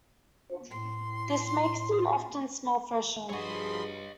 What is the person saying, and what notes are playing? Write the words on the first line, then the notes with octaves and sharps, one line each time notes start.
This makes them often smell fresher.
A2 C6
G2 F3 F#4 G#4 C#5 D#5 B5 C6